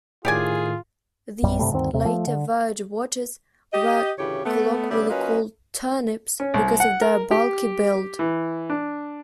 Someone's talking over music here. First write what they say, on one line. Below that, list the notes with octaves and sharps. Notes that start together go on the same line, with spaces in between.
These later verge watches were colloquially called 'turnips' because of their bulky build.
A2 D#3 F4 G4 G#4 D5 G#5
A#1 F#2 G3
G2 C3 G3 A3
D2 G2 D#3 C4
D#2 C3
F3 A3
D3
G4 D#5
D2 A2 C#3 E3 G4 C#5
A3 B3
C#3 G3 B3 D4 D5 E5
F#3 A#3 C#4 F4 B4 D#5
C#4
C2
F#5
A#4
G4
E3
D4